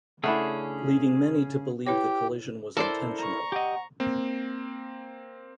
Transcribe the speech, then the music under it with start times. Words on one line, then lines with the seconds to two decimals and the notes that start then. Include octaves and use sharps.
Leading many to believe the collision was intentional.
0.23 C#3 A3 C#4 D4 E4 G#4 A4 F#5
1.87 E4 G4 B4 C#5
2.77 E4 A4 A#4 C5 D5 A5
3.18 A#5 C#6
3.52 G4 D#5 F#5
4.00 A#3 C4